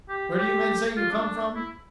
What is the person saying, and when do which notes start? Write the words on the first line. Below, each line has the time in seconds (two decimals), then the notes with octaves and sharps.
"Where do you men say you come from!"
0.09 G4
0.38 G4
0.97 F4
1.11 D4
1.56 E4